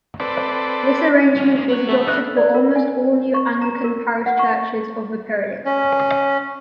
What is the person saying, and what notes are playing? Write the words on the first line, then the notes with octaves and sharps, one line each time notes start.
This arrangement was adopted for almost all new Anglican parish churches of the period.
C4 A4 B4 D5
G#2 C#4
G#3 A#3
C#5 F#5
C#3 E3 A3
B3 D4 D#5 F5 F#6
D5
A#4
G#5
C#6
A#5
A#4
F#5
C#6
C#4